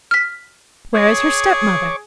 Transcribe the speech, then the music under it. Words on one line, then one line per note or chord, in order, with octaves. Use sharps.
Where is her stepmother?
F6 B6
G#4 C#5 C#6 D6